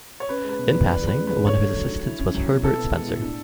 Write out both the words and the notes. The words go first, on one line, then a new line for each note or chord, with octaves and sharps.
In passing, one of his assistants was Herbert Spencer.
C#5
C#4 B4
G#3 B4
B2
E2 B4
B4 D5
G#4 B4
C#4
G#3 B4
D3 C#5
A3
F#3
D3
E4
C#4
F#3
B2
E4 A4
B3
G#3
A2
D4